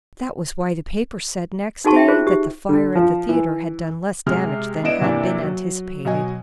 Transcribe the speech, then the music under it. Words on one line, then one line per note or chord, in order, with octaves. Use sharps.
That was why the papers said next day that the fire at the theatre had done less damage than had been anticipated.
D#4 F#4 G#4 A5 C#6
E5 G5
F4 G#4 C5
G4
D3
F3
E3
C3 G#3 F6
B3 D4 E4 D#5 D7 E7
C3 E3 A#3 D4 E4
F#3
B2 F#3 D#5 G#5